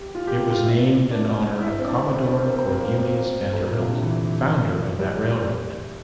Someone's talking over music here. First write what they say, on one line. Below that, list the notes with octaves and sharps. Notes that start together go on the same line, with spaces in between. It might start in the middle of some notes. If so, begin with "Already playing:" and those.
It was named in honor of Commodore Cornelius Vanderbilt, founder of that railroad.
Already playing: G4
F4
G4
G4
F4
E4
D4
E4
C4
D4
C4
D4
C4
A#3
C4
A#3
A#3
C4
A#3
A3
A#2
C3
D3
E3
G3